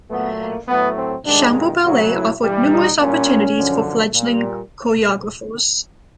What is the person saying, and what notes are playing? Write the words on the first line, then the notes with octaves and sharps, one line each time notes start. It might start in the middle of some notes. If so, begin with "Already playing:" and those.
Chamber Ballet offered numerous opportunities for fledgling choreographers.
A#2 F#3 A3 B3
A#3
A2 F#3 A3 B3
C4
G2 D#3 G#3 D4
F#2 C#3 F#3 A3 F#4
E4
G2 E3 G3
D#4
A#2 G3 C#4
F#2 D3 F3
A#2 G3